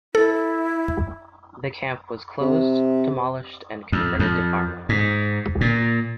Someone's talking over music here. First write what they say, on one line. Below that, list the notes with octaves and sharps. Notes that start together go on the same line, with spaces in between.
The camp was closed, demolished and converted to farmland.
E4 A4
C3
F2
F2
G#2
A#2